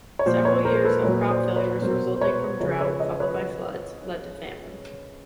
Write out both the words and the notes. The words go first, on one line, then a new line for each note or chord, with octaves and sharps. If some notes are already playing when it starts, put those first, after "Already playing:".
Several years of crop failures, resulting from drought followed by floods, led to famine.
C#5
A#2 F3 C5 D5
B4 C#5
A#4 C5
C5
A4 B4
A#2 F#3 B4 C#5
C5 D5
B4 C#5
B2 F#3 A#4 C5
C5
B4 C#5
C#3 F3 B4 C#5
B4 C#5
C#5 D#5
B4 C#5